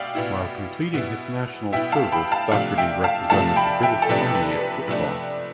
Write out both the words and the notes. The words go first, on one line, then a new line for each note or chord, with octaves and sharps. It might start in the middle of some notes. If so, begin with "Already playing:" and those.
While completing his National service, Docherty represented the British Army at football.
Already playing: B2 D5 E5 F5 G5
B2 B3 E4
B2 B3 E4
B2 B3 E4 E5 G5
F5 A5
G5 B5
F5 A5
C3 F3 A3 D4 D5 F5
E5 G5
F5 A5
C3 F3 A3 D4 F5 A5
G5 B5
E5 G5
A4
C3 F3 A3 D4 B4
B4
B4
C3 F3 A3 D4 B4